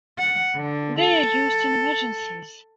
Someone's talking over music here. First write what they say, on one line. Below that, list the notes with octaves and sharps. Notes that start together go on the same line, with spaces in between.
They are used in emergencies.
F#5
D3
A4